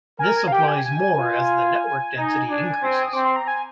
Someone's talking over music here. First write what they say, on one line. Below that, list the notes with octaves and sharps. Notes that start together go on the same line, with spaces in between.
This applies more as the network density increases.
A#4 G#5
G#5
F5
G4 G5
G#5
G#5
F4
D#4
D4
C4
D#6
C4 D6
C6
A#5
G#5